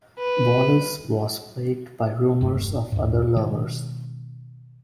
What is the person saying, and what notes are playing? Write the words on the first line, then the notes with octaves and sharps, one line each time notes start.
Wallis was plagued by rumours of other lovers.
B4
E1 G2 F#3 A3
D#2 G#2
B2 D#3 G#3